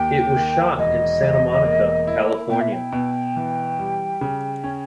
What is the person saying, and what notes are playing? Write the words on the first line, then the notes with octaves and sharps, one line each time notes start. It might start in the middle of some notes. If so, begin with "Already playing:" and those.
It was shot in Santa Monica, California.
Already playing: D#2 G5
D#3
E1 D#5
E1
A#3
E4
B2 G5
E5
G5
B2
E3
G3
C#3
C#4